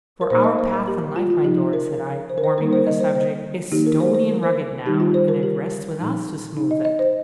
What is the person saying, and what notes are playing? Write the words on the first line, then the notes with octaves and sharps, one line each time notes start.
For our path in life, my Dora,' said I, warming with the subject, 'is stony and rugged now, and it rests with us to smooth it.
A#4
A#2 A#3 D#4 C5
D#5
C5
A#4
G4
F4
F4
F3 D#4 G4
A#4
C5
A#4
C5
D#3 G3 A#3 D#4 A#4
C5
D#5
C5
C5
D#3 A#3 D#4 G4
A#4
C5
C5
A#4
C5
D#3 G3 D#4 G4
F4
C5
A#4
G4
A#2 F3 D#4
D#4
D#5
D#5
C5